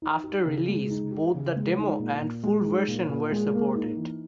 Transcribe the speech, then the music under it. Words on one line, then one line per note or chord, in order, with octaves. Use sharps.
After release both the demo and full version were supported.
D#4
G4
C#3
G#3
D#4
G4
C#3
G#3
D#4
A#2
A#2
G#3
D#4
A#2
A#2
G#3
A#3
D#4
E3